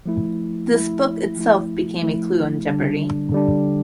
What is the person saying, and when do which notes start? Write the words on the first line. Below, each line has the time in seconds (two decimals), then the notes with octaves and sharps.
This book itself became a clue on Jeopardy!
0.06 F3 A3 E4
0.71 F3 A3 E4
1.37 F3 A3 E4
2.02 F3 A3 E4
2.66 D3 G3 D4
3.32 D3 G3 D4